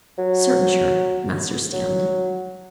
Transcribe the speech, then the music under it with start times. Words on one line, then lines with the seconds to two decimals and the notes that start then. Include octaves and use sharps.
'Certain sure, Master Stanley.'
0.18 F#3
1.73 F#3